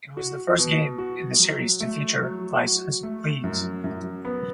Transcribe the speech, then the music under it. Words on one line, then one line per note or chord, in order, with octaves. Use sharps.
It was the first game in the series to feature licensed leagues.
F#4
B2
F#4
F#3
A3
F#3
F#4
A3
F#2
F#2
B3